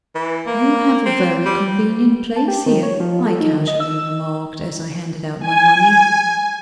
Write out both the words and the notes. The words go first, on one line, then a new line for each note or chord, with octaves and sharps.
"You have a very convenient place here," I casually remarked, as I handed out my money.
E3
A#3
C4
G3
A5
G4
D#3
C#5
F3
A4
D#4
D#3
D#5
E6
G#5